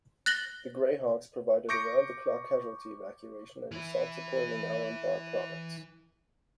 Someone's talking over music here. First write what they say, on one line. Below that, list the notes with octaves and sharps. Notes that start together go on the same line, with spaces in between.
The Greyhawks provided around-the-clock casualty evacuation and assault support in Al Anbar Province.
F#6 A6 A#6 F#7 G7
C#6 D6 G6 A#6 C#7 D7
E3 E4